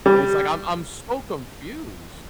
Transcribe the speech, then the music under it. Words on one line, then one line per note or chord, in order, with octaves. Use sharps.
It's like I'm I'm so confused.
G3